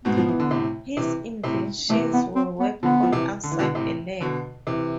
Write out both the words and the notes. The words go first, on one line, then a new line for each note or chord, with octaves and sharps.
His inventions were worked on outside a lab.
G#2 B2 B3
F3
E3
D3
A2 C3
C3 E3
A2 C3
C3 E3 A3
B3
C4
B3
D3 F3 B3
F3
C3 E3
D3
E3
B2 D3
A2 C3
B2 D3
C3 E3